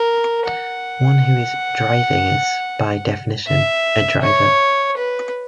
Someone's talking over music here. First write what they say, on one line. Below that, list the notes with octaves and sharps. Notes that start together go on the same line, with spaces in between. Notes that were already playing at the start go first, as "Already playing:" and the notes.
One who is "driving" is, by definition, a "driver".
Already playing: A#4
F#5
E5
C#5
B4